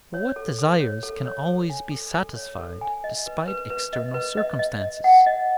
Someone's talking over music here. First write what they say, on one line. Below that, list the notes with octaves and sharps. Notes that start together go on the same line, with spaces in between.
But what desires can always be satisfied despite external circumstances?
C#5
A4
A4
C#5
A4
C#5
A4
G#5
A4
A4
C#5
A4
G#5
D#5
B4
B4
B4
D#5
B4
D#5
D#5
D#5
F#5
D#5